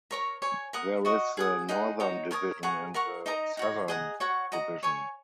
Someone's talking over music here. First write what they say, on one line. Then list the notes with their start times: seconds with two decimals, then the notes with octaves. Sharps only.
There is the Northern Division and the Southern Division.
0.11 A#4 C#5 A#5 C#6
0.42 C#5 G#5 C#6
0.73 A#4 F#5 D#6
1.05 F#4 D#5 F#5 C#6
1.37 G#4 F#5 D#6
1.69 D#4 G#4 F#5
2.00 D#4 F#4 C#5 A#5
2.31 A#4 C#5 G#5 D#6
2.63 G#4 F#5 A#5 C#6
2.94 A#4 F#5 A#5 C#6
3.26 D#4 A#4 D#5 A#5
3.57 D#4 F#4 C#5
3.88 G#4 D#5 F#5 A#5
4.20 F#4 C#5 F#5 C#6
4.52 F#4 D#5 A#5
4.83 C#5 G#5 C#6